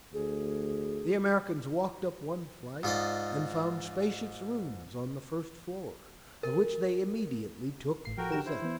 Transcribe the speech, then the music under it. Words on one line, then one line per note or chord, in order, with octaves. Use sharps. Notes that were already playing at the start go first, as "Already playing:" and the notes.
The Americans walked up one flight and found spacious rooms on the first floor, of which they immediately took possession.
D2 G#4
G#2 F4 D5 D#5
A#4
G#1 A2 C7
F3 F#4 A4 A#4 G5
D4 G4 E7
E4 C5
E3 B3